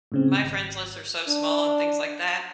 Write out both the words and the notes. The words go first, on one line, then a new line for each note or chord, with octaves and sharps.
My friends lists are so small on things like that,
A2 C#3 C4
G#1
D4